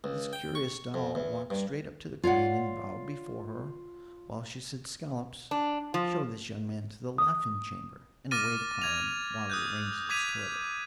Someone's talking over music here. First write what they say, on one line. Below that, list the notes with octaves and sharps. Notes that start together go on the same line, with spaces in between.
This curious doll walked straight up to the Queen and bowed before her, while she said, "Scollops, show this young man to the laughing chamber, and wait upon him while he arranges his toilet."
C#2
G5
C#6
F2
E2
G2
F4 C#5 D5 F#5
D4
F3
D#6
D6 F6 A6 A#6 D#7
G#6 F7
D#6 F#6 G6
D6 G#6 B6 D#7 F7